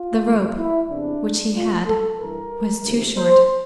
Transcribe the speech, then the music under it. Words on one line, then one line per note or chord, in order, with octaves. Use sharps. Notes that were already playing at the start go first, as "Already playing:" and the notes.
The rope which he had was too short.
Already playing: F4
F2 C3 E3
E4
E2 C3 E3 D4
C2 A#2 F4
A4
G2 E3 A#4
D2 C3 E3
C5